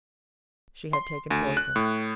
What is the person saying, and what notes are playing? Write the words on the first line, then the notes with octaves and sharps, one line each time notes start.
She had taken poison.
C6
D2
F#6
A2